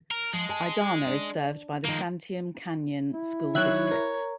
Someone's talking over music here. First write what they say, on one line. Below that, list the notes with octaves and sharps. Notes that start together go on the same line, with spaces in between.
Idanha is served by the Santiam Canyon School District.
A#4
F3 G#3
G#5 A5
D4
D#3 F3 G#3 A#3
E4
D#3 F#3 C#5 E5 F#6
A#4